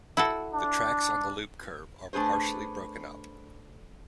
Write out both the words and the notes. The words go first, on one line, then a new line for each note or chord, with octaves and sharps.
The tracks on the loop curve are partially broken up.
E4 F#4 A4
D4
A3 D4 G#4 B4 C5